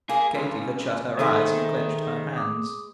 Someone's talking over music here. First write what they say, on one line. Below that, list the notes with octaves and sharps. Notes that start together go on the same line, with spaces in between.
Katie had shut her eyes, and clenched her hands.
A#3 B3 G#4
C#2 F4
D#3 G#3 D#4 A4 B4 C5 E5 G#5
D6 D#6